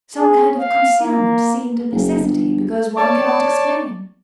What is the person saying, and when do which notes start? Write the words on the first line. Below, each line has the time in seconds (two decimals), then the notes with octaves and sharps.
Some kind of concealment seemed a necessity because one cannot explain.
0.16 G#4
0.60 F5
1.01 A#3
1.91 F#1
2.19 G1
2.97 C#5 D5 A5